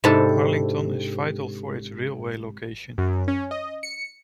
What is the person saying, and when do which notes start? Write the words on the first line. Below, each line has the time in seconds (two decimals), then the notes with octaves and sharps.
Arlington is vital for its railway location.
0.04 G#2 C3 C4 D4 E4 A4
2.98 F#2
3.28 C#4
3.51 D#5
3.83 C#7